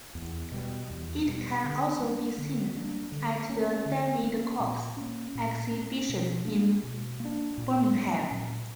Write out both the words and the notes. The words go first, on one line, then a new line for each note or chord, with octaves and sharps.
It can also be seen at the David Cox exhibition in Birmingham.
E2
B2 G3
E2
B2 G3
D3
G3 A#3 D4
D3
G3 A#3 D4
D3
A#3 C#4
D3
A#3 C#4
A#2
A#3 C#4
A#2
A#3 C#4
B2
A#3 D4
B2
A#3
D4
A#2
F#3 A#3 C#4
A#2